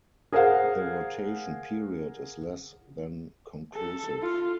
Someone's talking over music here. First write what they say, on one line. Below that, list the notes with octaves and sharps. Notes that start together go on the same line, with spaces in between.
The rotation period is less than conclusive.
G#4 A#4 C5 F5 F#5
A4
F4